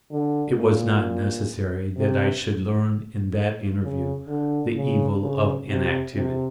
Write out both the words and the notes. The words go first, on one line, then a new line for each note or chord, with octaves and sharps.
It was not necessary that I should learn in that interview the evil of inactivity.
D3
A#2
C3
C#3
D3
C#3
C#3
C3
C3